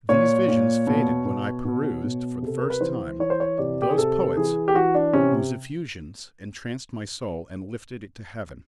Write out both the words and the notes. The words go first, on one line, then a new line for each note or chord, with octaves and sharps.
These visions faded when I perused, for the first time, those poets whose effusions entranced my soul and lifted it to heaven.
A#2 C#5
A#2
B2
B2
B2
B2
C3 A4
A#4
B4
E3 C5
E3 C#5
C5
C#5
C3 D5
G4
G#4
C3 A4
E3 G#4
G4
E3 F#4
D4
C3 C#4